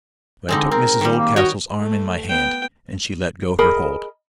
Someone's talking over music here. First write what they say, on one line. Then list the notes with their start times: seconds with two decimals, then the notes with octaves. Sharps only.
But I took Mrs Oldcastle's arm in my hand, and she let go her hold.
0.49 D3 G#3 C4 D#4
0.72 C4 A#4
1.01 D#3 G3
1.17 A#3
1.36 F#4 C#5 D#5 G5
1.78 A3
2.29 B3 G5
3.59 G#4 A#4 D#5 B5